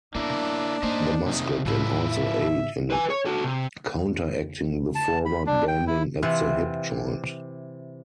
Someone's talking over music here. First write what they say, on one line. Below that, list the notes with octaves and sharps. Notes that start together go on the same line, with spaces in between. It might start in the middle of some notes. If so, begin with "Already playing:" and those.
The muscle can also aid in counteracting the forward bending at the hip joint.
A#3 B3 D4 E4
A#3 D#4 C5
C3 D#3 D#4
A2 F3 E4
E5
B4 G#5
C#5
F#4 A4
C3
A5
B5
D4
G5
E4
C3 E3 F4 F#5